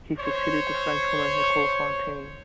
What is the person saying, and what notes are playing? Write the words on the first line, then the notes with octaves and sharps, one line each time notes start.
He succeeded the Frenchwoman Nicole Fontaine.
C5 C#5